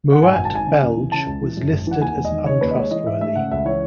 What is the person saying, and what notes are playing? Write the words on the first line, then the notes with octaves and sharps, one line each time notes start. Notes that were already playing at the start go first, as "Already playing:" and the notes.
Murat Belge was listed as untrustworthy.
F#5
G#2 G#5
G#1 G#5
A5
D#3 G#5
C#3
D#2
E3
C#3 A5
C#2
E3
F#2
G#1
E3 F#5
D#2 G#5
E1
D#5
D#3
C#3 C#5
D#2 B4
D#5
G#3 C#5
E3 D#5
G#2 E5
A3 E5
C#3 F#5
C#2 E5
E3 C#5